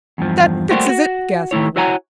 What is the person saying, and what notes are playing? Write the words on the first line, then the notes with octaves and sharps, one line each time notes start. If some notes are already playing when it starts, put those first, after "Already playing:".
"That fixes it!" gasped one.
E2 G2 F3
G3 A3 A#3 F#4 G4 C5
F#4
D#3 A3 E4 C#5
E4 F#4 C#5 F#5 G#5 A#5